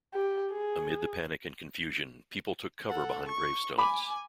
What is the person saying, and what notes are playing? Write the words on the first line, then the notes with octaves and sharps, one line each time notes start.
Amid the panic and confusion, people took cover behind gravestones.
G4
G#4
A4 F#5
C#6
G#5 B5 D6